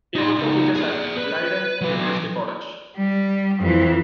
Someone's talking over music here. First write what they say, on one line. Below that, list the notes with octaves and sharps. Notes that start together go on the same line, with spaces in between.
He also teaches at Leiden University College.
D#4 C6
C#2 D#4
G#4 D5
B4
F#3 B4
G3
F2 E3